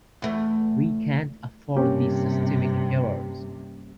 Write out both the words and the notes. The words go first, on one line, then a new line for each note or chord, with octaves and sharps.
We can't afford these systemic errors.
E2 A3
G2 C3 A#3 C#4 G4